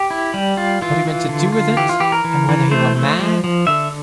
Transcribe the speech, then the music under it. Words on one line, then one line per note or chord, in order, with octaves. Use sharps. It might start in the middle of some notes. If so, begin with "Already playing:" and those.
What he meant to do with it, and whether he were mad?
Already playing: G4
E4
G3
F4
E3 F4
E3
D3
F4
E3 G4
F4
E3 G4
A#4
E3
E3
A3 C5
A3
F3
F3
D3 E5